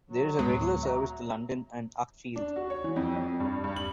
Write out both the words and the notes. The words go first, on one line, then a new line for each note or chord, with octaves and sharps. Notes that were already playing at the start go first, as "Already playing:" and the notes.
There is a regular service to London and Uckfield.
F#3
D2 A2 G#3 B3
E5 A#5
D4
F#4
C#5
E3
F2
F2
G2
G2
F#7